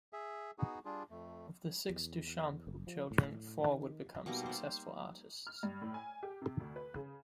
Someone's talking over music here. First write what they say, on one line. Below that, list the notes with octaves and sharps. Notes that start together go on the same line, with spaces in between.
Of the six Duchamp children, four would become successful artists.
G#4 E5
B3 D#4 F#4 G#4
G3 D4 F4 G#4
F2 A3
E2
F#1
F3
A2
D#3
B2 G3 A#3 D#4
G3 C5
F6
G2
A2
G#5
G4
C3
D2
B4
C#3